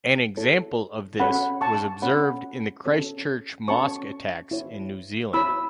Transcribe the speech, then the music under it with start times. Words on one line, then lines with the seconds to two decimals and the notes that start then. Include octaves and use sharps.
An example of this was observed in the Christchurch mosque attacks in New Zealand.
0.37 E4 A4 C#5
1.20 C#4 A4 C#5 F#5 B5
1.61 A5 C#6
2.02 C#4 A4 C#5 F#5 B5
2.86 C#4 A4 C#5
3.68 C#4 A4 C#5 A5 C#6
4.51 E4 C#5
5.34 E4 C#5 B5 E6